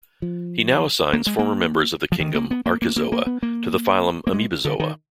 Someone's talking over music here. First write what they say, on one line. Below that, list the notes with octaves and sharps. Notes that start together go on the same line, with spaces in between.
He now assigns former members of the kingdom Archezoa to the phylum Amoebozoa.
F3
A#3
G#3
A#3
F3
D#3
A#3
B3
A#3
A#3
A#3
A#3
B3
A#3
A#3
G#3
D3
D#3